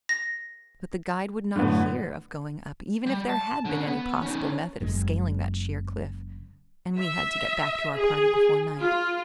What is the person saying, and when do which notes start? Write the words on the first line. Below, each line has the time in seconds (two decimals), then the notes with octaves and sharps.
But the guide would not hear of going up, even if there had been any possible method of scaling that sheer cliff, and we had to get back to our party before night.
0.09 A#6
1.56 F#2 A2 D3 B3
3.06 G3
3.30 A5
3.65 D3 C#4
3.87 B3
4.22 C#4 D#4
4.80 F#1 F#2 C3 G#3
6.99 E5
7.94 G#4
8.77 F4